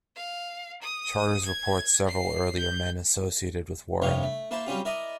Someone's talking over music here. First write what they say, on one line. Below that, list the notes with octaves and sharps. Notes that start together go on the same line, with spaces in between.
Charters report several earlier men associated with Warenne.
F5
D#6
G#6
C7
G6
C2 G2 C3 F3 C#5 F5
A3
A#3 E4 C5 A5
F#3 G3 C4 C#4 F4 G4
E4 A#4 D5 D#5